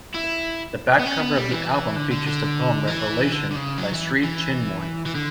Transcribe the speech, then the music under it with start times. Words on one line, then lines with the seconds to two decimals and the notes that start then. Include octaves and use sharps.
The back cover of the album features the poem "Revelation" by Sri Chinmoy.
0.15 E4
1.00 B3
1.06 C#4
1.21 B3
1.36 G3
1.51 E3
1.96 D3
2.11 D3
2.26 D3
2.88 E3
3.32 D3
3.51 D3
3.56 C#3
3.78 F#3
3.94 E3
4.24 E3
5.06 E3
5.15 D3